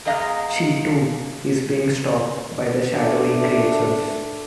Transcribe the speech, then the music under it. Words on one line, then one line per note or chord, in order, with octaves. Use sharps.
She, too, is being stalked by the shadowy creatures.
E2 G#3 D#5 F5 A#5
A3 D4